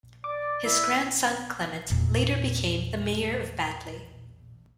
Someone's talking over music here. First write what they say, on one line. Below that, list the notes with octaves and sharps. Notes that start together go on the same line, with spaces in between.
His grandson Clement, later became the mayor of Batley.
D5 D6
E4
E2 A#2